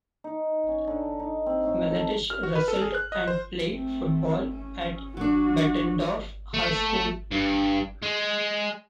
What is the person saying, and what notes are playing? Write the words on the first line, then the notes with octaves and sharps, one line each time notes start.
Miletich wrestled and played football at Bettendorf High School.
D#4
C#4
D3
D#4
C4
A2
A4
F6
F#4
B4
A4
G#4
F#6
D#5
C5
A3 C4
C#4
F#3 D4 F#4
A3
G2
G#3